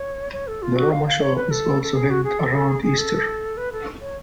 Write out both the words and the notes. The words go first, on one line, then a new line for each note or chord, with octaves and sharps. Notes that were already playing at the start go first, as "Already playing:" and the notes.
The Roma Show is also held around Easter.
Already playing: C#5
C#5
A4
F4
F#4
F5
F5
C#5
B4
A4
A4
G#4
F#4
G#4
A4
A4
G#4
G#4
A4
B4
A4
C#5